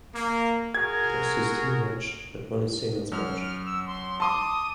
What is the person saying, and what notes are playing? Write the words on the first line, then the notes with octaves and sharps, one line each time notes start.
He lost his team match, but won his singles match.
A#3
F#4 G#4 A#4 G#6
F#2 F6
E6
C6
A5 C6 D6 D#6